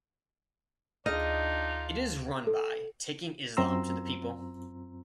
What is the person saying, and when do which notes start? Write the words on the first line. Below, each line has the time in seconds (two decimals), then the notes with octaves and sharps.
It is run by Taking Islam to the People.
1.06 D2 D4 D#4 F4 G#4 D#5 F6
2.47 A4
3.57 F#2 C4 F4 A#5 C6 E6